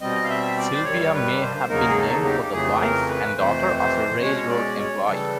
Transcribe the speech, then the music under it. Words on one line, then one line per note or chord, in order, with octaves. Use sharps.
Sylvia may have been named for the wife and daughter of a railroad employee.
B2 G3 C4 D#5
F5
E5
D5
C5
G2 D#3 G3 C#5
B4
C5
E2 C#3 F#3 A#3 D#4 A#4
G#4
A4
G4
F2 C#3 E3 A3 G#4
A#4
B4
F2 C3 E3 A3 C5
C5
B2 G#3 C#4 C#5
D5
C#5
C#3 E3 G3 A4